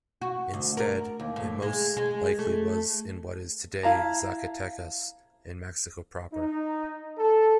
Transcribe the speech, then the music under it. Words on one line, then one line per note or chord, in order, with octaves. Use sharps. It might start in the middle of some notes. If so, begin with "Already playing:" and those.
Instead, it most likely was in what is today Zacatecas in Mexico proper.
F#4
D2
A#4
D#2
A2
G#3
G#3
A3
E4 F5 A5 A#5
D#4
A4